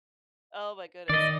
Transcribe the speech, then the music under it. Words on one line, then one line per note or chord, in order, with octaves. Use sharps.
oh my goodness,
D#3 D5 D#5